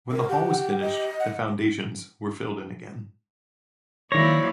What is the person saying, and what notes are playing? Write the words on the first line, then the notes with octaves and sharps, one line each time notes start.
When the hall was finished, the foundations were filled in again.
A#4
G4 F#5
D#5
F#5
D#3 F3 F#3 A#3 E4 C#5 D5 A#6